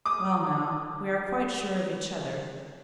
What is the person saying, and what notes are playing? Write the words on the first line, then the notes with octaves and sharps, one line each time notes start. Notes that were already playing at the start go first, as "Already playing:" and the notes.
'Well now, we are quite sure of each other.
D6 D#6